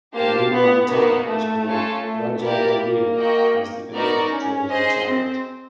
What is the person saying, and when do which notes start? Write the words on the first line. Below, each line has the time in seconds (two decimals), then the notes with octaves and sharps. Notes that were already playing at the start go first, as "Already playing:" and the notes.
The main mantapa is called Raja Gambira as the elephant draws the chariot.
0.13 A#3 G4 C5 F5 A5
0.52 B3
0.89 A#3 B3 D#4 F#4 A#4
1.27 A3
1.65 C#4 F4 A4 C#5
2.03 A3
2.41 A#3 E4 G4 A#4 D5
2.80 A#3
3.17 F#4 A#4 D#5 G5
3.93 B3 D#4 F#4 A#4 D5
4.31 C#4
4.69 G#4 C5 D#5
5.06 C4